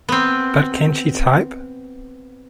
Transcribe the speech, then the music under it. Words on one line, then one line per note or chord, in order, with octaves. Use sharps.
But Can She Type?
B3 C4